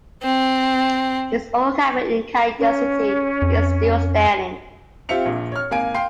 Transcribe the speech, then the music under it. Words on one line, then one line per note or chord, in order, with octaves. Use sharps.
His old cabin in Canyon City is still standing.
C4
C#4
F2
C4 F4 G4 E5 C#7 F7
A#1 A#2
C#5 F6
G#1 A#3 F5 G#5 D7
F5 G5 C6 C7